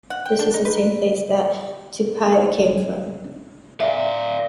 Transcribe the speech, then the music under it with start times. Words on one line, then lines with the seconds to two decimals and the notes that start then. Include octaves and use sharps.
This is the same place that Tupaia came from.
0.10 F#5
0.25 G5
0.39 D4
0.54 D#4
0.65 B4
3.80 D5 E5 F5